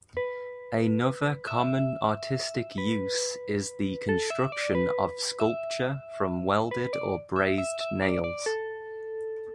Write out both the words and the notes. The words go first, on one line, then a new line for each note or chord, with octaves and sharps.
Another common artistic use is the construction of sculpture from welded or brazed nails.
B4
E5
B4
A4
E5
D5
B4
E5
B4
D5
E5
E5
E5
D5
D5
A4